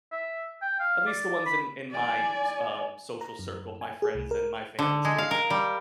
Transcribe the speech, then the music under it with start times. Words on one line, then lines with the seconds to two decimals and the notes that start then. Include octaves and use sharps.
at least the ones in in my s um, social circle, my friends and my family's kids,
0.12 E5
0.62 G5
0.80 F5
1.07 D5
1.46 B5
1.92 D5 G#5
3.21 A#5
3.39 F#2
3.81 G#5
4.02 G#4
4.14 C2
4.31 A#4
4.79 D3
5.05 G#3
5.18 F5
5.31 A#4
5.50 G3